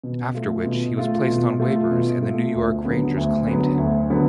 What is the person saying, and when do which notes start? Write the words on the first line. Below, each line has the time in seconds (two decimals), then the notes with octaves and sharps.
After which he was placed on waivers and the New York Rangers claimed him.
0.03 B2
0.35 A3 F4
0.66 B2
0.97 A3 F4
1.29 B2
1.60 A3 F4
1.91 B2
2.22 A3 F4
2.54 D2
2.85 D3 F#3 B3
3.17 D2
3.48 D3 F#3 B3
3.78 D2
4.10 D3 F#3 B3